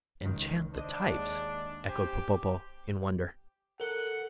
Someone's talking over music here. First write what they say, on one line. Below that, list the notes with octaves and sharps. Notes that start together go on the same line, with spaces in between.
"Enchant the types!" echoed Popopo, in wonder.
C#2 D#3
D4 C5 D#5
D#2 G#3 D#5
G4 C5 G#5
A4 A#4 F#5